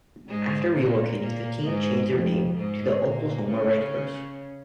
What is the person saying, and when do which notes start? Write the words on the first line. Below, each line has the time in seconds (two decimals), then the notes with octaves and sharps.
After relocating, the team changed their name to the Oklahoma Wranglers.
0.28 G#2 G#3
0.74 A#2 A#3
1.20 A#2 A#3
1.65 G#2 G#3
2.10 F2 F3
2.56 G#2 G#3
3.01 A#2 A#3
3.47 C#3 C#4